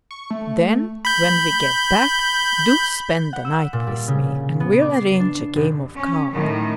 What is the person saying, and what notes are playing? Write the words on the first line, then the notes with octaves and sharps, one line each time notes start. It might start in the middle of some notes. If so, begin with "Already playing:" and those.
Then when we get back, do spend the night with me and we'll arrange a game of cards.
C#6
A3
B5 G6
F#5
E6
A#2
G3
C#3
B3
D6
C7
D4
F1
C#4
A2 D#3